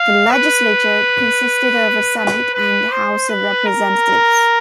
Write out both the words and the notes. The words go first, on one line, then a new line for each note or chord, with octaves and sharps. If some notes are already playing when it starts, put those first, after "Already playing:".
The legislature consisted of a Senate and House of Representatives.
Already playing: F5
B4
B4
B4
C5
B4
A#4